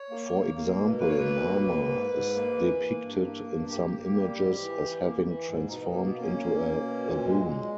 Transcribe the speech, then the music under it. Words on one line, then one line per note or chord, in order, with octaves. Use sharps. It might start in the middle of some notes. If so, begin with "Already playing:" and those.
For example, Narmer is depicted in some images as having transformed into a baboon.
Already playing: C#5
A#3
A#3
A#3
B2
A#3 B4
C#5
B2 B4
A#3
A#3
G#2
G#2
A#3
E3
A#3
G2
A#3
G2
A#3 G4
A#3
G3
G#2
E3
E3
A#3
E3
G#2
B2 D#4
A#3
B3
A#3
C#4
A#3
A#3
B2
A#2
G#3
G#3